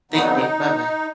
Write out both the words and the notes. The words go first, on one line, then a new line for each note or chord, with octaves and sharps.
Thank you. Bye-bye.
F2 D3 F#3 B3 D#4